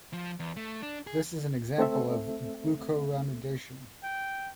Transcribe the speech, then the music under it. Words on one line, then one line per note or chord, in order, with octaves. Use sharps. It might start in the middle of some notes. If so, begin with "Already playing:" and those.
This is an example of glucuronidation.
F3
E2
A3
D4
G#4
A3 C4 A4 E5
G5